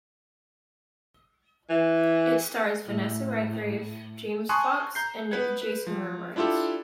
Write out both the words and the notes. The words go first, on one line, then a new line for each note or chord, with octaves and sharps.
It stars Vanessa Redgrave, James Fox, and Jason Robards.
E3
A2
G#5 A5 C6 C#6 D#6 F#6
A#5 G6 C7
B3 B4 G#6
B4
F3
D4 E4 F4 G4 A4